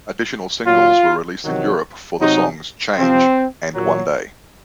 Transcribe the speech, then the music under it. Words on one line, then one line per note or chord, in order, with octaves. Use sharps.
Additional singles were released in Europe for the songs "Change" and "One Day".
A#2 F#3 F4
C3 D#3 F#3
C3 F#3 D#4
C3 F3 C4
A#2 F#3